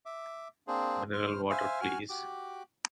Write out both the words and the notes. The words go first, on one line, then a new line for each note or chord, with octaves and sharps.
Mineral water please!
E5 D6
A#3 C4 D4 G#4 C5
C5 F6
C5 E5 F5 G#5
F#4 G#5 F6
F#4 G4 D6